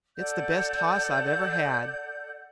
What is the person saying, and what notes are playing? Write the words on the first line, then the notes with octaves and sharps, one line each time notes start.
It's the best hoss I've ever had.'
A4 D5 F#5 G6